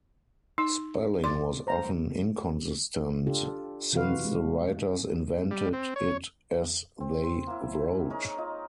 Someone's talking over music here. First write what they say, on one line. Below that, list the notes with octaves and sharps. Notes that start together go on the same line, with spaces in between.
Spelling was often inconsistent, since the writers invented it as they wrote.
D#4 E6
D5 C6
C5 A#5
D4 F4 G4 A4
C3 E3 F4 F#4 B4 F5
G#3 A3
G3
C4
C#5
C4
C6
A#3 E4
D#4 G#4 A#4 C#5
D#4 F4 D#5